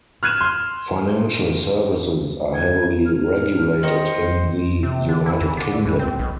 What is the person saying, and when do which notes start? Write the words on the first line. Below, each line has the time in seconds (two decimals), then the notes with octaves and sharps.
Financial services are heavily regulated in the United Kingdom.
0.23 F6 F#6 G#6 D#7 E7
0.41 C6 F6
2.53 G#6
3.05 F6
3.83 D#3 C5 D#5 C#7
4.83 C3
5.09 D3
5.26 E4
5.41 E2
5.57 D3
5.86 E2
5.99 C4
6.19 B1